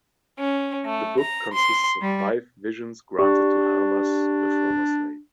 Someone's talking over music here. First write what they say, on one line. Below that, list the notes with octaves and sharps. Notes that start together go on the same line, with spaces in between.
The book consists of five visions granted to Hermas, a former slave.
C#4
A3
A#5
C6
G3
D4 G4 D5 C#6